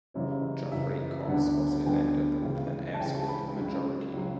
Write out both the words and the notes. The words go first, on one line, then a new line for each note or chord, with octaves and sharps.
Geoffrey Cox was elected with an absolute majority.
F#1 F#2 C#3 E3 G3 C#5
F#1 F#2 C#3 E3 G3 E5
D2 D3 G3 B3 D4 F#5
D2 D3 G3 B3 D4 G5
C#2 C#3 E3
A5
C#2 C#3 E3 G5
B5
C#2 C#3 F#3
C#2 C#3 F#3